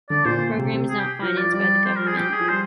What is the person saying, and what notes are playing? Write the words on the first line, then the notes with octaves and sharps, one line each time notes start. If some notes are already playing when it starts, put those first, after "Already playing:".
The program is not financed by the government.
D3 D5
A#2 C5
C3
C3
G#4
G4
F3 A#4
D5
F3
G3 D5
C5
A#4
G#4
G4
G#4
F3
G3 C5